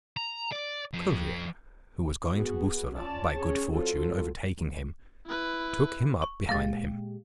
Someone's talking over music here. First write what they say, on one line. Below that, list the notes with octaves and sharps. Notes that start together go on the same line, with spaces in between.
A courier who was going to Bussorah, by good fortune overtaking him, took him up behind him.
A#5
D5
F2
B3 F#4 G#4
C#4 F4 D5 A5
C#4 G#4 C#5
F#3 C4 F4 A4
E4 B4
C#6
A#2 G#3 G4 F5 A6